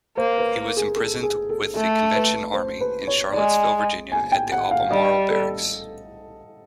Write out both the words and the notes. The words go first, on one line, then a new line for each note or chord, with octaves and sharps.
He was imprisoned with the Convention Army in Charlottesville, Virginia at the Albemarle Barracks.
A#3 C5
B4
A#4
G#4
A4
G#4
A4
A3 A4
B4
C5
B4
C#5
G#3 D5
G#5
G5
F#5
F5
G3 D#5
A4